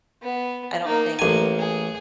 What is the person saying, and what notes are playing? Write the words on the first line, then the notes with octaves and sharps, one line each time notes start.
I don't think
B3
A#3 D#4
A1 A#3 G#5
G#4